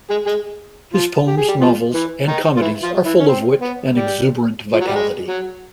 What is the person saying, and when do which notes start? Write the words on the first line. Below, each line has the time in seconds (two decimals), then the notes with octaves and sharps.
His poems, novels and comedies are full of wit and exuberant vitality.
0.10 G#3 G#4
0.26 G#3 G#4
0.94 F3 F4
1.27 G4
1.37 G#4
1.48 G3 G4
1.61 F3 F4
1.94 E3 E4
2.27 D#3 D#4
2.57 F4
2.61 E3 E4
2.83 F3 F4
3.05 E3 E4
3.19 C#4
3.28 C4
3.61 B3
3.94 G3
4.73 F3
4.81 F#3
4.87 G3
4.95 G#3
5.29 F#3